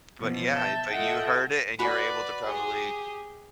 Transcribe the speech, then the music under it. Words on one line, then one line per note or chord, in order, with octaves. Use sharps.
But yeah, but you heard it, and you were able to probably
F#2 B2 E3 F3
E5 A5 G6
F4 A4 D#5 E5 F#5 G5
F#4 B4 D5 B5
G4 G#4